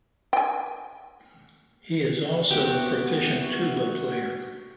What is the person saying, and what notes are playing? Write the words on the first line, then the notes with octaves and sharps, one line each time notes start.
He also is a proficient tuba player.
G5 G#5
E2 E3 B3 F#4 G4